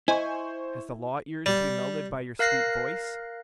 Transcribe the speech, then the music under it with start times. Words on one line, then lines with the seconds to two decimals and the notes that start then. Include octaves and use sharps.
Has the law ears to be melted by your sweet voice?
0.08 E4 C5 D#5 G#5 C#6
1.46 G3
2.39 A#4 F5 F#6 A#6 C7